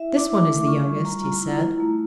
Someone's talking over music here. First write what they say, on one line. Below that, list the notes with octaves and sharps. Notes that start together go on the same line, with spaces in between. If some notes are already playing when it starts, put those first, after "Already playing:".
'This one is the youngest,' he said.
Already playing: E4 E5
E4
D6
E4
D6
A3
F4 C#6
G3
G3 A#5
F4
E4
E4
A3